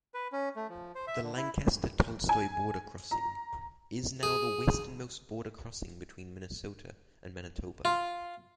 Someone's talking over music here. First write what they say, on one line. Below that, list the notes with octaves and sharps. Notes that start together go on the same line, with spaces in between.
The Lancaster–Tolstoi Border Crossing is now the westernmost border crossing between Minnesota and Manitoba.
B4
C#4
A3
F3
C5
E5
D3
E4
G#5
A#5
G#4
F4